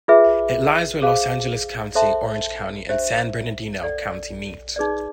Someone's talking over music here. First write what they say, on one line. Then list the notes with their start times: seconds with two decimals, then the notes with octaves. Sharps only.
It lies where Los Angeles County, Orange County and San Bernardino County meet.
0.08 F4 G#4 B4 E5
1.02 G#4 C5 F5
1.95 A4 C5 E5 A5 C6
2.89 D4 G4 C5 E5
3.83 A4 D5 F#5
4.76 D#4 G#4 B4 D5